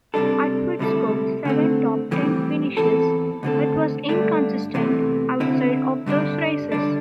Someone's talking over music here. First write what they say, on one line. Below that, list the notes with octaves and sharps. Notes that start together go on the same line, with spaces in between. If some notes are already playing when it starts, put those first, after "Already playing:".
Atwood scored seven top ten finishes, but was inconsistent outside of those races.
C3 G3 D4 A4
D2 C3 G3 E4 A4
D3 A3 C4
A2 E3 G3 C4
E2 E3 C4 A4
D2 D3 C4 A4
G2 D3 A3 D4
E2 C3 E3 A3
D3 C4 E4
G2 D3 G3 D4
D3 G3 D4